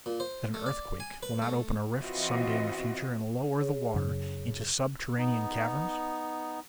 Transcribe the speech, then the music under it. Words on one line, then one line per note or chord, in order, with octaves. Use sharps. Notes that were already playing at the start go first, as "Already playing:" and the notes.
That an earthquake will not open a rift--some day in the future--and lower the water into subterranean caverns?
A#2
C5
A3
D5
G#5
B4
A3
E3 C4 F4 F#4 D#5
G#4 C#5
F#2 C#3
B3 D#4